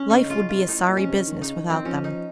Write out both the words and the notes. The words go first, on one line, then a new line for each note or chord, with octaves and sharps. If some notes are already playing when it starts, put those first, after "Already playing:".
Life would be a sorry business without them.
Already playing: C#4
C#3 D#4
C#3 F4
C#3
F4
C3
F#2
A2 D#4
A#2
C#4
C3
D#3
C#3 D#4
D#3
F3 C4
D#3
F3 C#4
D#4